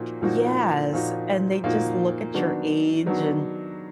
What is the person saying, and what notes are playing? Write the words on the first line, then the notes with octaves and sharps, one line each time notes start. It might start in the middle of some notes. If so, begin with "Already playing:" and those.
Yes, and they just look at your age and
Already playing: A#2 F3 A#3 D#4 F#4
A#2 F3 A#3 D#4 F#4
A#2 F3 A#3 D#4 F#4
A#2 F3 A#3 D#4 F#4
D#3 F#3 B3 D4 F#4
D#3 F#3 B3 D4 F#4